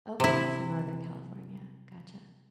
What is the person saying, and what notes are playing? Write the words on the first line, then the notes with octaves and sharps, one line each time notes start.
Okay, so, Northern California. Gotcha.
C3 E4